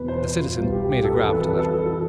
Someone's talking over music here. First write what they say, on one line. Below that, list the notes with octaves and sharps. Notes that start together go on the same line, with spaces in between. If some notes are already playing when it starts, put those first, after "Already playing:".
The citizen made a grab at the letter.
Already playing: E2 B2 B4
C5
C5
F4
C2 B2 F4
G4
G4
A4
B4
F2 E3 A4
B4
A4
B4
A4
E3 A4